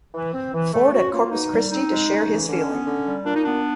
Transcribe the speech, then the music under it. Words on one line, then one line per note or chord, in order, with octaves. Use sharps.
Ford at Corpus Christi to share his feeling.
E3
C4
E3
A3
C#4 F#4
A#3 F4
B2 D#4
G3
C4 D#4
G#3
C#3
E3
D3 C#4
B3
D3
G3
A#2 D4
D#4
B3 D4